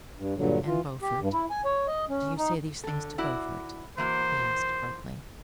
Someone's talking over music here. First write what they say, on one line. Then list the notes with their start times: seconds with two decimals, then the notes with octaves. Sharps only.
"And Beaufort--do you say these things to Beaufort?" he asked abruptly.
0.18 G2
0.37 G2 A#2 D3 F#3
0.67 E3 F4
1.02 G4
1.20 G2
1.33 E4
1.50 G#5
1.65 C#5
1.88 D#5
2.09 C#4
2.38 D#4
2.84 D3 A4
3.18 E4 F#4 D5
3.98 E3 A#3 F#4 C5